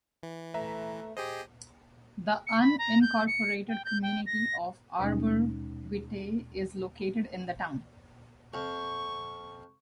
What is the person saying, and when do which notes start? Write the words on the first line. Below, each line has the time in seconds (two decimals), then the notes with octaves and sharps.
The unincorporated community of Arbor Vitae is located in the town.
0.23 E3
0.54 A3 B4 E5 A#5
1.17 G4 G#4 C5 D#5
2.47 C#7
2.60 B5
2.79 A#5
3.01 G6
3.27 C#7
3.68 G5
3.85 G6
4.03 G5
4.26 A#6
4.99 D#2 B2 G#3 C#4 D#4
8.54 F2 C#6